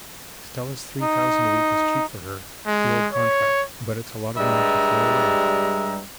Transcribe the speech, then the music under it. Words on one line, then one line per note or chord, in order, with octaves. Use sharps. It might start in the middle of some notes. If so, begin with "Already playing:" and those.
Stella's three thousand a week is cheap for her, the old contract, but it's a lot of money to throw away.
D#4
G#3
C#5
G2 G3 G#3 E5 A#5